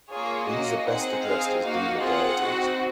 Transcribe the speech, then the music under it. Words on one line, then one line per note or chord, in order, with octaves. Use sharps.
These are best addressed as Dema Deities.
A#3 F4 G#4 C#5
A#3 C#4 F#4 D#5
C4 D#4 G#4 F#5
C4 D#4 G#4 F5
A#3 D#4 F#4 F5
C4 F4 G#4 F#5
C4 D#4 F#4